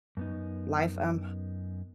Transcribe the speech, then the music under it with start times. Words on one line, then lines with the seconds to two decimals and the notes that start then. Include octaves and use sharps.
life, um,
0.17 F#2 B3 D#4